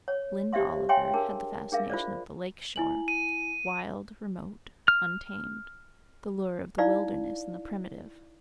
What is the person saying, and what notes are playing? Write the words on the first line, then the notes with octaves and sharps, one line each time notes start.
Lynde Oliver had the fascination of the lake shore--wild, remote, untamed--the lure of the wilderness and the primitive.
C#5
G4 C5 D5 E5 F5 C6
C#5 E5 F5 G5 G#5 C6
D4 G#4 A#4 A5
D4 G#4 A#4 E5 F5
F4 C5 D5
E4 G#5 F#7
D#7
F6
D#4 E4 D5 F5